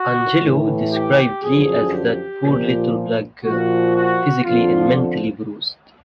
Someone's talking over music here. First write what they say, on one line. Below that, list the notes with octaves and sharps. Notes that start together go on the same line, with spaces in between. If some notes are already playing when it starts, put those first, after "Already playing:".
Angelou described Lee as that poor little Black girl, physically and mentally bruised.
Already playing: F#4
A2 E3
G4
F#2 D3 F3 G#4
G4
A#2 F3
A#2 F#4
F3
F#4
F2 D3 F3 F4